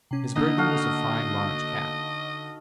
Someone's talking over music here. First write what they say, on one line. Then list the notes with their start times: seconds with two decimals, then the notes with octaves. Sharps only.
His burden was a fine large cat.
0.11 C3 C#4
0.36 D3 A3 A#3 D#4 D#5
0.57 F#4 A4 F5